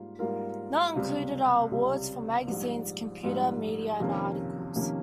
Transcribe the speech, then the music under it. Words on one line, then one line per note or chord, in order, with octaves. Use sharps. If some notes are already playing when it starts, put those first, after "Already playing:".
Not included are awards for magazines, computer media and articles.
Already playing: G#2 G3 A#3 F4
G#2 G3 A#3 F4 A#4
C#2 C3 G3
C#2 C3 G3
A#1 G#2 G3
A#1 G#2 G3
F2 C3 D#3 A#3 C#4
F2 C3 D#3 A#3 C#4